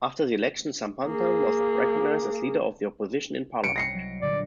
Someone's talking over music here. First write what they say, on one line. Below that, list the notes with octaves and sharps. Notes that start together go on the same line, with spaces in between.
After the election Sampanthan was recognised as Leader of the Opposition in parliament.
A#3 G#4
C2 C#7 D7
D#5 G5 A#6 C7 C#7
F#3
A#2 D3 D5